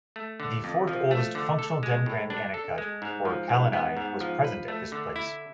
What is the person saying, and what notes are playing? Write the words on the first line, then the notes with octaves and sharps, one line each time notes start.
The fourth oldest functional damGrand Anicut or Kallanai was present at this place.
A3
D3
F2
F3
A3
D3
A4
G#3
A2
D4
A4
G#3
G#2
F3
G#2
B3
G#2
F3
B4
A3
D3
E4